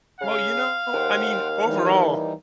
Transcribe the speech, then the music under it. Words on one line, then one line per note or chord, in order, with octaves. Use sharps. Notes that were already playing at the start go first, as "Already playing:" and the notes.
Well, you know I mean, overall,
C#3 F5
D#2 C5 F#5 G5
E3 G3 D#4